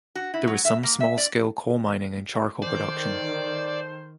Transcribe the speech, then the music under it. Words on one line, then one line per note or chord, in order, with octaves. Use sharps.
There was some small scale coal mining and charcoal production.
F#4
E4
F#3
E5
A#3
E5
D5
D#3 A4 C5 D5